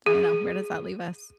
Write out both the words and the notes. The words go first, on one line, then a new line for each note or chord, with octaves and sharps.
I don't know, where does that leave us?
G#4